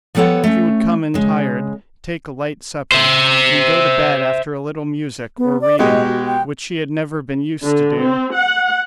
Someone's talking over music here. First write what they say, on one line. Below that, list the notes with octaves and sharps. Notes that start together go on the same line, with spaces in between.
She would come in tired, take a light supper, and go to bed after a little music or reading, which she had never been used to do.
F3 G3 B3 A4 C#5 F#5
A3 C#4
C#3 G#3
C5 E5
B3
D5
B2 G#3 G4 D#5
F#4
G5
D3
C4
F#5